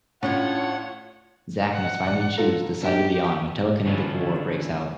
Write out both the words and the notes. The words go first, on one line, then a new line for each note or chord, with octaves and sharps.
Zach must finally choose the side to be on when telekinetic war breaks out.
A2 C#4 D4 F4 G#4 C#5 F#5
F#5
A1 D5
F4 A4 A#5
D4 G4
D3 E3 C#4 D4 E4 F4